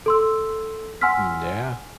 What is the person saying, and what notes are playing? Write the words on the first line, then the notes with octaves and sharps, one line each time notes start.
Mm, yeah,
A4 C6 E6
F#5 G#5 C6 E6 F6 B6